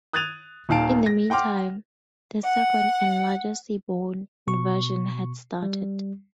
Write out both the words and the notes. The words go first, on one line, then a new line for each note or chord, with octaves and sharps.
In the meantime, the second and larger sea-borne invasion had started.
D#6 F#6 G#6 A6 D#7 F7
D#1 A#2 D#3 F5 A5 D7
A#6
F#5 G5 C6 D6 F6
F#5
B2 C#6
G3